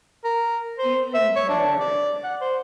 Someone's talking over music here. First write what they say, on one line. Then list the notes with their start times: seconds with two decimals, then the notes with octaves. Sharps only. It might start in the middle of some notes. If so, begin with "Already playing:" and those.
feelings hurt.
0.24 A#4
0.78 C5
1.14 E5
1.36 C#5
1.49 D4
1.79 D5
2.24 F#5
2.41 C5